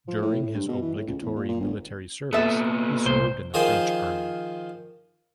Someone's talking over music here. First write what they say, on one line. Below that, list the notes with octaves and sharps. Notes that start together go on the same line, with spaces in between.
During his obligatory military service he served in the French Army.
F3
A2
A2
G2
B2
E3
A2
C#2
E2
A#2
A#2
G1
A#2 B3 A4 E5
C2 C5
D#3 F3 G#4 C5